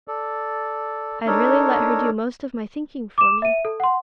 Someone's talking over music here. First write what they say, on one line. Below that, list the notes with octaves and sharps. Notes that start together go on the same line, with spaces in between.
I had really let her do most of my thinking for me.
A4 D5
D4 D#4 A4 A#4 C#5
D6 E7
E5 D#7
A4
F#5 C6